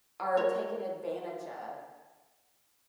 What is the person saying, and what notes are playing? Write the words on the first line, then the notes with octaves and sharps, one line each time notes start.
are taken advantage of.
A#4 C#5